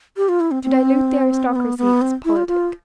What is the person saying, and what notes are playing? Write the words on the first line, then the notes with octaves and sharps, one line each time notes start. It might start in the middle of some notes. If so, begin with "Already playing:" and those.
To dilute the aristocracy is politic.
G4
F4
E4
C4
C4
B3
B3
C4
E4
F4
F4